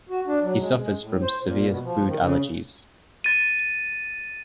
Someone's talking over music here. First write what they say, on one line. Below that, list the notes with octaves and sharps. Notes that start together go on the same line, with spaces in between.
He suffers from severe food allergies.
F#4
D4
F#3
G#3
G#3
A2
C5
A#2
B2
F3
D#3
C#3
A6 D#7